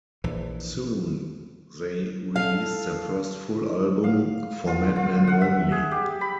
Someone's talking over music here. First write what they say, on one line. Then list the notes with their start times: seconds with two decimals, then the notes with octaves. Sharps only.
Soon, they released their first full album,"For Madmen Only".
0.24 A#1 E3
2.36 A4 F5
4.04 F5
4.67 F4
4.96 F4
5.27 F#5
5.41 E5
5.72 G#4
5.91 G4
6.21 B5